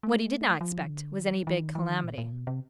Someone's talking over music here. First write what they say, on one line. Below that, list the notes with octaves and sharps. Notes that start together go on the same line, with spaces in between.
What he did not expect was any big calamity.
A3
F3
D#3
D3
D#3
F3
E3
D#3
E3
D#3
A#2
A#2
B2
C3